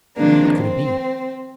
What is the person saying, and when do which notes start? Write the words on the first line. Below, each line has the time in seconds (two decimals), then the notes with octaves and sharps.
What could it be?
0.16 C3 D#3 F3 G#3 A#3 D4
0.59 C4